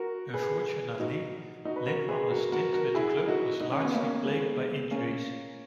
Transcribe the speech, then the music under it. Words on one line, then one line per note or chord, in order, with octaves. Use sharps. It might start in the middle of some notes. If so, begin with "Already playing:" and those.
Unfortunately, Litmanen's stint with the club was largely plagued by injuries.
Already playing: F#4 A#4
G#4 B4
D#4 F#4
D#4 F#4
B4
F#4 A#4
G#4 B4
F#4 A#4
F#4 A#4
F#4 A#4
E4 G#4
D#4 F#4
D#4
C#4
B3
A#3 C#4
G#3 B3
A#3 C#4